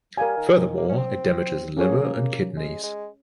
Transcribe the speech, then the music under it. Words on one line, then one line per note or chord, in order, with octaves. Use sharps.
Furthermore it damages liver and kidneys.
G3 A#4 F5 G#5
D#3
D#3
A#3
C#4
C4
A#3 C#4 G#4 C#5
G#3
G#3